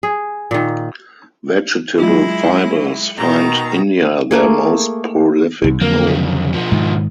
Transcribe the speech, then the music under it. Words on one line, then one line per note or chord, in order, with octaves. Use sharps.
Vegetable fibres find India their most prolific home.
G#4
A#2 D#3
F#3 G#3 E4 F4
B2 D#3 A#5
A3 A#3 G#4
C2
F2 D3 F#3 A#3
C2 C#3
B2 F3
G#2 D#3